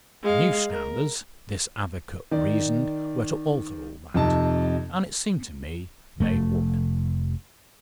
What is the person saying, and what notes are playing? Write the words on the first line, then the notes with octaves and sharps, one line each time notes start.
The new standards, this advocate reasoned, were to alter all that, and it seemed to me they would.
G#3 F5
A#4
D#3 D5
F2 C3 D#4 A5
F1 A3